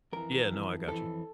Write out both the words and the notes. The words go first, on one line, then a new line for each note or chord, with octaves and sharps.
Yeah, no, I gotcha.
F2 E3 A#4
F2 E3
F2 E3 A4